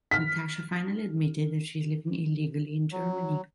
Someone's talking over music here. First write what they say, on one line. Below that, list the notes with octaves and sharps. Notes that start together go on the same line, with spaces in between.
Natasha finally admitted that she is living illegally in Germany.
F6 B6
F#3